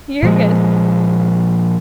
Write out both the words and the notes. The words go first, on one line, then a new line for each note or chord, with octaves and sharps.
You're good.
A#2 F3 G#3